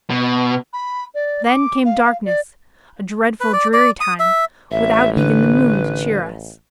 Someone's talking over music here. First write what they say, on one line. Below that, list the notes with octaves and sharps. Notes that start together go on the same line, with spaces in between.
Then came darkness, a dreadful dreary time, without even the moon to cheer us.
B2
B5
D5
D6
F5
D5
B4
D5
D5
D#6
E5
A1 E5
D3 B4